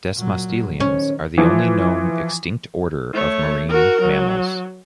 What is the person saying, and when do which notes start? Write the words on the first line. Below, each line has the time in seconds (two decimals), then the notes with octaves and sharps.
Desmostylians are the only known extinct order of marine mammals.
0.15 A#2 F#3
0.80 D#3 C#4
1.38 E3 F3
3.13 A3 C#5
3.69 F#4 A#4
4.01 F#3